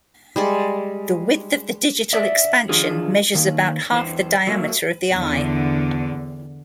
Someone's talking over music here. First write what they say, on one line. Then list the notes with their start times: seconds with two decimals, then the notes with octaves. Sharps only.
The width of the digital expansion measures about half the diameter of the eye.
0.36 G3 G#3 D5
2.13 D5 E5
2.69 D#3 F3 D4 F4 G#4
3.35 D#3 A#3
3.91 E2 E3 C5
4.47 F#3 A3 A#3
5.12 E2 D3